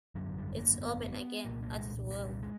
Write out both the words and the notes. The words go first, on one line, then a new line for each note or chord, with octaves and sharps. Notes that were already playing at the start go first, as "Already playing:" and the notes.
It is open again at twelve.
G#1 F#2 D3 F#3
G3
A#3
B3
B3
C2 A#2 A#3
A#3
G#3
G3
G#3